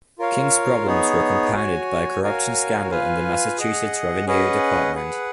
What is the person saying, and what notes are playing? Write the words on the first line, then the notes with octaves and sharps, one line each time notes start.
King's problems were compounded by a corruption scandal in the Massachusetts Revenue Department.
F4 A#4 C#5 F5
B3 D#4 G#4 C#5
F#4 C#5 G#5
F#4 A#4 C#5 F5 G#5
F4 B4 F5 G#5
G#4 D#5 F#5
C#4 G#4 B4 D#5 F#5
G#4 B4 F#5